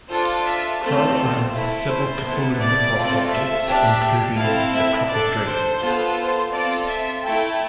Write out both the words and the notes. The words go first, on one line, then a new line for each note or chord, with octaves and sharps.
Crow owns several Cthulhu Mythos objects, including the Clock of Dreams.
D4 F4 A4 C5
E5
A3 C4 F4 A4 C5
A3 E4 A4
C5
B3 E4 A4
D5
A3 C4 F4 A4
E5
D4 G4
C4 E4 A4 F5
E5
D4 A4 D5
C5
B3 F4 A4
C5
C4 F4 A4 D5
E5
A3 E4 A4 G5